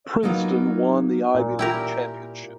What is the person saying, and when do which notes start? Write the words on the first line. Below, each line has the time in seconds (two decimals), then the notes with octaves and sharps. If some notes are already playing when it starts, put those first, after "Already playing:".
Princeton won the Ivy League championship.
0.23 F#3 A#3 B3 D#4 F4
1.35 A#2
1.59 E4 G4 A#4